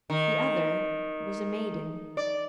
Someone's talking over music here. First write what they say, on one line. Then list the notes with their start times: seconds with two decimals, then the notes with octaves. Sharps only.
The other was a maiden.
0.10 D#3
2.17 D5